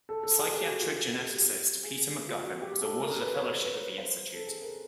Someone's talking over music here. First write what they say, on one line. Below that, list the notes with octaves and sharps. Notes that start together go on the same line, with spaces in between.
Psychiatric geneticist Peter McGuffin was awarded a fellowship at the Institute.
A4
A4
G#4
G4
F#4
F4
F#4
G#4
G4
G4
G#4
G4
F4
F#4
G4
A4
A#4
B4
C#5
C5
B4
B4
A#4
C5
A4
G#4
A#4